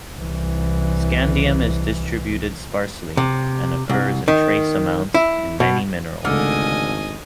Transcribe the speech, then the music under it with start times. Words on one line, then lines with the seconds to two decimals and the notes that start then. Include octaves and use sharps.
Scandium is distributed sparsely and occurs in trace amounts in many minerals.
0.15 C2 E3
3.17 C3
3.89 C2
4.28 D#3
5.14 E4
5.60 B2
6.25 G#1 C#2 D3 A3 D#5 G#5 F6